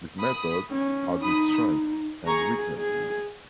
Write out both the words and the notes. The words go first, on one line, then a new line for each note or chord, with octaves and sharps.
This method has its strengths and weaknesses.
B5 D#6
C#4
D#4 B5 D#6
G#4 A#5 C#6
G#4